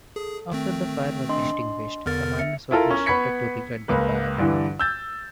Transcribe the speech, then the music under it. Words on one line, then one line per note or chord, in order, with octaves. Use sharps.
After the fire was extinguished, the miners were instructed to relight the fire.
G#4 A4
D#3 A3 C4
D4 D#5 C6
E2 D3 B3 A#4 F6 A6
E5 C#7
E4 F4 A4 A#4
C#4 A#4
B3 B5 C#6 G#6 B6 C#7
C#2 A#3 B4
G2 D3 E3
E6 G6 A6